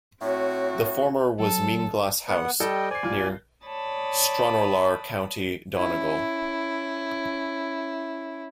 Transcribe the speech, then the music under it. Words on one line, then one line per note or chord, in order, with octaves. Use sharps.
The former was Meenglass House, near Stranorlar, County Donegal.
A2 C4 F#4 C#5
F#3 A4
B3 F#5
G3 A4 D#5 G5
C5 D5 G#5 C7
C2 F4
C#5 D5 A5 B5 D#6
C#4 E4